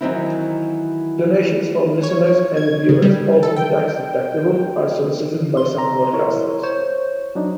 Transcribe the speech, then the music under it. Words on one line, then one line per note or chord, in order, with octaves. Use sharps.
Donations from listeners and viewers, often tax-deductible, are solicited by some broadcasters.
D#3 E3 F#3 C4 D#4 E4
C#5
G#6
C#3
G3
A4
G5
C6
A#5
E4 A#4 C#5
C5 C#5
F#3 D4 D#4